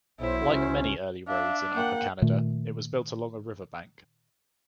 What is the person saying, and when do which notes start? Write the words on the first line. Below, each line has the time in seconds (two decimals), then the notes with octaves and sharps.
Like many early roads in Upper Canada, it was built along a river bank.
0.20 B1 E4 F#4 C5 C#5
0.49 C#2 C#4
1.28 D4 E5 F5
1.74 A#3 F#5 G5
2.22 A#2 D#3 A3